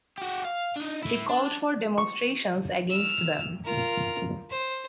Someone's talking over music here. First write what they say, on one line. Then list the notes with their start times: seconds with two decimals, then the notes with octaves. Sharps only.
He called for demonstrations against them.
0.18 F#4 G4
0.45 F5
0.76 D4 D#4
1.03 A3 E4
1.29 D4
1.98 C#6
2.90 E6 F6
3.65 F4 A#4
4.50 C5